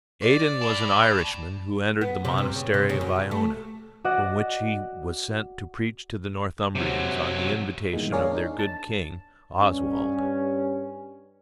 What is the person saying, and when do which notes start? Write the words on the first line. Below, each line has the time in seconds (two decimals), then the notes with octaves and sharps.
Aidan was an Irishman who entered the monastery of Iona, from which he was sent to preach to the Northumbrians on the invitation of their good king, Oswald.
0.21 D5
0.62 A5 B5
2.01 B3
2.25 C3
2.38 G2
2.55 C#3
2.74 C3
2.89 C#3
3.01 F#2
3.16 C3
3.31 A3
4.04 F#4 D5 D#5 F#5
6.75 C3 F#3
7.93 G2 A#2 D#3 E3 G#3 B3
8.12 C#4 G#4 A#4 C#5 D5 F5
8.32 D4 D#4
8.59 A5
9.57 G2 C#4